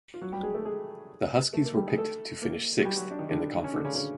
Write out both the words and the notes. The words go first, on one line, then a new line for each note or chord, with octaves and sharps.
The Huskies were picked to finish sixth in the conference.
F4
F#3 F#4
G3 G4
G#3 G#4
A3 A4
G#3 G#4
A3 A4
A#3 A#4
G3 G4
G#3 G#4
A3 A4
A#3 A#4
F#4
G3 G4
F#3 F#4
D4
D#3 D#4
D3 D4
C#4
D3 D4
C#3 C#4
C#3 C#4